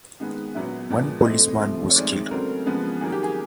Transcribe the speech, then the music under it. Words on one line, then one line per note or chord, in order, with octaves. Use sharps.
One policeman was killed.
D#3 G#3 B3
A#2 F#3 B3 E5
A#2 F3 G#3 B3
E3 A3 C4 D#5
C3 F3 A3 C4
C#5
D#3 G#3 C4 D5
C#3 F#3 A3 C4 A#4
C#3 F3 G#3 B3
D#3 F#3 A#3 G#4
G4
G#4